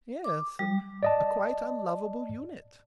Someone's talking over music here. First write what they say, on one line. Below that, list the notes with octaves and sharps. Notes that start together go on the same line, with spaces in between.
Yes, and a quite unlovable unit.
D6
G3
D5 D#5 A5